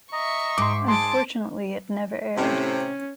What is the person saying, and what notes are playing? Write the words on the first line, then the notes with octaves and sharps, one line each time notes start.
Unfortunately it never aired.
D#5 E5 A#5 C#6
G#2 C6 D6
G#4 A5 C6 D6
A2 C3 C#4